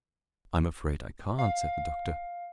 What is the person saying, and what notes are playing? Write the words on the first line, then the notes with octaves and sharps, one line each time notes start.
"I am afraid I can't," said the Doctor.
F5